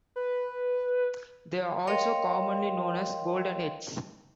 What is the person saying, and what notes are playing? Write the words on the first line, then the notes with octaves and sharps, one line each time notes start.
They are also commonly known as goldenheads.
B4
A#4 C#5 D#5 F5 G5 C6